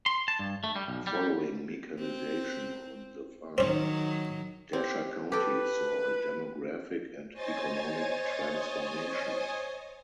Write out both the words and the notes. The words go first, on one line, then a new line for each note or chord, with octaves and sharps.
Following mechanization on the farm, Desha County saw a demographic and economic transformation.
C6
A5
G2
A3
G3
B1
G3
C4
D#3 F#3 C4 C#4
C4 G4
G4 A4 B4
C5 C#5 D#5 G#5 D#6 A6